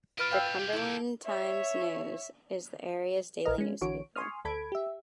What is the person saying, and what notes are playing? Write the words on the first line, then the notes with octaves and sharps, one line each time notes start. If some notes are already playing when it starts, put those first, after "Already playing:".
The "Cumberland Times-News" is the area's daily newspaper.
F4 B4 D#5 A5 F6 D7
F5 G5 E6 G6
F4 G4
E4 A4 D5
C#5 E5
A#1 A#4 D#5 F6
G#3 C#4
A#1 D3 E3 F#4 C#5 D7
G#5 C6 C#6 D#6 F6
D2 A4 B5 G#6 D7
G4 E5